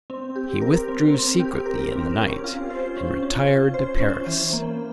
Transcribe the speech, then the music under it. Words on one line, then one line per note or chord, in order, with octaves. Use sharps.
He withdrew secretly in the night, and retired to Paris.
C4
G4
A#4
C4
C4
G4
A#4
C4
C#4
F4
C5
C#4
C#4
F4
C5
C#4
E3
A#3